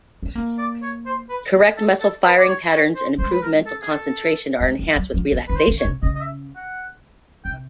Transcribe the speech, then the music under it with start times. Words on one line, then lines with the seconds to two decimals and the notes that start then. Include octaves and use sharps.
Correct muscle firing patterns and improved mental concentration are enhanced with relaxation.
0.23 B3
0.35 A#3
0.58 D5
0.82 C#5
1.06 C5
1.29 B4
1.77 A4
2.01 A4
2.24 B4
2.38 D5
2.48 C#5
2.71 C#5
2.95 C5
3.18 G#3 C5
3.31 B4
3.42 A#4
3.66 A4
3.81 G#4
3.90 A4
4.61 G#3
4.79 G3
4.96 F#3
5.14 F3
5.32 E3
5.48 D#3 B4
5.55 C5
5.68 D3
5.79 C#5
5.85 C3
6.02 C#3 D#5
6.15 D#5
6.20 E5
6.56 F#5
7.45 C3 G5